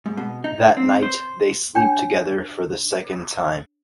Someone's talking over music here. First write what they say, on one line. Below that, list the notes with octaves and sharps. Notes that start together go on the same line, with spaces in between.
That night they sleep together for the second time.
G#2
B2
D#4
C4
C5
D4 C#5 G5